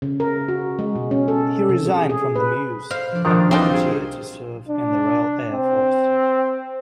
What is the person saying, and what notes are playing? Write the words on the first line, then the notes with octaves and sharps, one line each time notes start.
He resigned from the Mews and volunteered to serve in the Royal Air Force.
C#3
A#4
F#4
G#3
B2
C#4
A4
C3
G#4
G#4
B4
C5 F5
F3 D4
D#3 F3 D4 F#4 A#4 G5
C2 A#2 C4 D#4 F4 F5
G#4
D4
C4